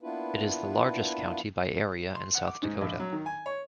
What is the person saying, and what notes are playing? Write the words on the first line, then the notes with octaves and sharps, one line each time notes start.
It is the largest county by area in South Dakota.
A#3 B3 D4 E4 F4 B4
C6
F#5
D6
G#2
A#1
F#3
D#3
G#5
C#5